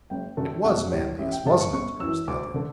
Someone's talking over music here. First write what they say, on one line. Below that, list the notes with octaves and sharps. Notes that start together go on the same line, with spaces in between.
"It was Manlius, wasn't it?" urged the other.
F#1 G5
F#2 D3 A3
B1 F#5
A2 E3 G3 C#5
A1 E5
G5
G2 D3 G3 A5
C#6
G1 C#6
F#2 E3 E6
D2 D6
D3 A3